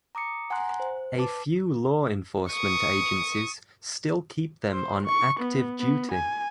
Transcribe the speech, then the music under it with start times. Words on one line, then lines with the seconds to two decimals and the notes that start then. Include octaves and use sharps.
A few law enforcement agencies still keep them on active duty.
0.15 A#5 D6 D#6 C#7
0.50 F#5 G#5 A#5 C6 F#6
0.80 C5
1.18 B4 A5 D6
2.52 C#6 D#6
4.72 C5
5.06 C#6
5.40 B3
5.80 B3
6.12 G#5